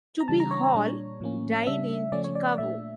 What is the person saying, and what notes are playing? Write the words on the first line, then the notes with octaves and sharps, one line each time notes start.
Tubby Hall died in Chicago.
A#5
C#3 E3 G3 D4 A5
A#5
C#5
C#5
A#2 G3 D4
A2 F3 A#3 C#4
C#3 G3 D4 E5
C#3 F3 A3 C#4 D5
C#5
D5
D5
A#2 A3 D4 E5